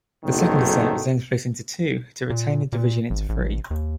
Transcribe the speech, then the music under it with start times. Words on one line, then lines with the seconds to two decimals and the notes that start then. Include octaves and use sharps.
The Second Estate was then split into two to retain the division into three.
0.25 F#1 B1 G#2 D#3 A3
2.30 A#2
2.73 A#2
3.10 G#1
3.29 A1
3.71 D#2